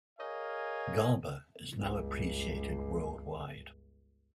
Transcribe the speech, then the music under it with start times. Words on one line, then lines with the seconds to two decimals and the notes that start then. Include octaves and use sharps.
Garba is now appreciated worldwide.
0.19 G#4 A#4 C#5 D#5 F5 G#5
1.75 G1 C#2